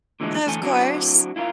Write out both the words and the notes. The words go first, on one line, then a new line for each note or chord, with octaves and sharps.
Of course.
A#2 D3 E3 G#3 A3
A2 D3 E3 A4 G#5
F#3 C4 D4 E4 F#4
E4 F4 A#4 B4 F5